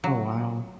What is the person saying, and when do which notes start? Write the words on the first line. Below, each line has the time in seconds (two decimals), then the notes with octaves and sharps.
Oh, wow.
0.04 F#3